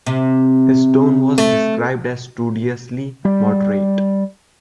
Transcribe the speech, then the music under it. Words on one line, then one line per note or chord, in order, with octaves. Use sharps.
His tone was described as studiously moderate.
C3
A3
G3